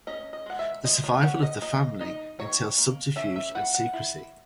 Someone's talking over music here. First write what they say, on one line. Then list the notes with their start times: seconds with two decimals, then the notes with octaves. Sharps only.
The survival of the family entails subterfuge and secrecy.
0.07 C#4 D#5
0.33 D#5
0.46 G#3 F#5
0.59 E5
0.85 G#3 D#5
1.04 C#5
1.14 G#5
1.23 C#4 F#5
1.42 D#5
1.62 A#3 D#5
2.00 D#4 D#5
2.39 D#3 C#5
2.78 A#3
3.16 C#4 E5
3.36 E5
3.55 E4 F#5
3.74 F#5
3.93 E4